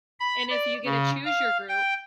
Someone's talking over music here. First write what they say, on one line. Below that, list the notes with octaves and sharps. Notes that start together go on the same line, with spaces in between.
and if you get to choose your group,
B5
D5
C#3
F5
G5